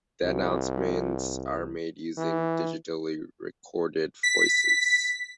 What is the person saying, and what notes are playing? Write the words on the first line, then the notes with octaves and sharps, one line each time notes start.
The announcements are made using digitally recorded voices.
C2
E3
B6